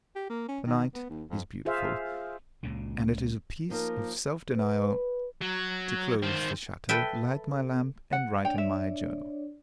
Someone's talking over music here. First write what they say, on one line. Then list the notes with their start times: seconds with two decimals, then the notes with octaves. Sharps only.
The night is beautiful, and it is a piece of self-denial to close the shutter, light my lamp, and write in my journal.
0.16 G4
0.30 A#3
0.48 C#4
0.66 D#3
0.95 B3
1.09 D#2
1.30 F2
1.65 F4 G#4 C5 E5 F5
2.63 C#2 A#2 C#3
3.70 F3 A#3 D#4 A#4
4.57 B4
5.41 F#3
6.22 D#3 C4
6.89 A4 B4 E5 G5
8.13 F#5
8.45 D4 C#5 D5 G5
8.58 E5